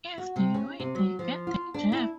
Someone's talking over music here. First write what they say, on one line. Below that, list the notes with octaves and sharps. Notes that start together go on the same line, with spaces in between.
If they win, they get the gem.
F#4
C3
C#4
C3
F#3
F3
F4
D4
E4